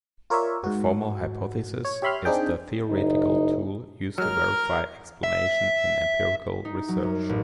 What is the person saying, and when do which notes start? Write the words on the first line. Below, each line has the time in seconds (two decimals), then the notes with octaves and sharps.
The formal hypothesis is the theoretical tool used to verify explanation in empirical research.
0.30 F4 A#4 C#5 D5 E5
0.64 G#2 F#4
1.85 C#5
2.02 G4 C#5 E5 B5 C6 F6
2.25 C4 D4 D#4 G#4 G5
2.90 F#1 D#4
4.18 F#3 G#3 A#4 F6
5.24 E5
6.65 D#4
6.88 F#3
7.03 F#2
7.29 A1